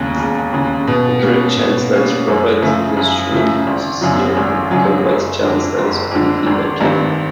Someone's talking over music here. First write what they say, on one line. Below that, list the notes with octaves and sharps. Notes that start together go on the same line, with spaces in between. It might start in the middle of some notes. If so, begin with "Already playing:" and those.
The current chancellor is Robert Gascoyne-Cecil and the current vice-chancellor is Quintin McKellar.
Already playing: E1 D#2 C#3
E1
D#2 C#3
B2
G3 A#3 C#4
B2
G3 A#3 C#4
F#2
C#3 F3 A3
F#2
C#3 F3 A3
G#1
F#2 C#3 F#3
G#1
F#2 C#3 F#3
F#1
F2 D3
F#1
F2 D3
G#1
G2 D#3 G3 C4